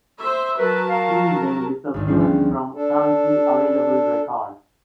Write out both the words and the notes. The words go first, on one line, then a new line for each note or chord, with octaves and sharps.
She then disappears from currently available records.
C5 E5
F#3 A#4 B4 A5
F5
G#1 D2
C#3 F3 G3 C7
B3
D4 A4